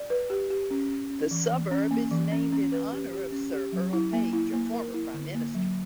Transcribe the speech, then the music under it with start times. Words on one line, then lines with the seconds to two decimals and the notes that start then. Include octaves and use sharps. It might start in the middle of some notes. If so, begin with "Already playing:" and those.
The suburb is named in honour of Sir Earle Page, a former Prime Minister.
Already playing: D5
0.10 B4
0.30 G4
0.50 G4
0.71 C#4
0.91 C#4
1.10 C#4
1.31 E3
1.51 E3
1.71 C#4
1.91 A#3
2.11 E3
2.32 C#4
2.52 C#4
2.72 B4
2.92 G4
3.13 G4
3.32 C#4
3.53 G4
3.72 F#3
3.93 E4
4.13 A#3
4.33 E4
4.54 A#3
4.74 A#4
4.94 E4
5.14 D3
5.35 A#3
5.55 F#3